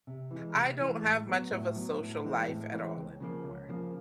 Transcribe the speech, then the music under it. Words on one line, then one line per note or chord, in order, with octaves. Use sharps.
I don't have much of a social life at all anymore.
C3
E3 G#3
C3
E3 G#3
A2
F#3 B3
A2
F#3 B3
A2
E3 G#3 C4
A2
E3 G#3 C4
C#2
C#3 F3 A#3
C#2
C#3 F3 A#3